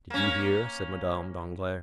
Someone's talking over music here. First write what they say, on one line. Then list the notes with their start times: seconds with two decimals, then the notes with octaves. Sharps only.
"Did you hear?" said Madame Danglars.
0.10 A#3 C#4